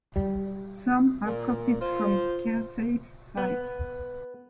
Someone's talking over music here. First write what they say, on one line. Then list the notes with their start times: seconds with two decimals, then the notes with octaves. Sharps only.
Some are copied from Keirsey's site.
0.16 G3
1.26 A#2
1.81 F4 C5
3.37 B3